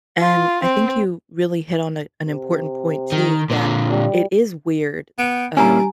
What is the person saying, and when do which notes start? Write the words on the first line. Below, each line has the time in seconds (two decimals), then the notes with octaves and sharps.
and I think you really hit on a an important point, too, that it is weird, uh
0.21 F4
0.63 C4
2.26 C3
3.12 D#3
3.50 A#2 D3
3.90 G3
5.18 B3 F#5 G5
5.57 A#2 G3 A#3 C#4 D4 E4 G#5 A#5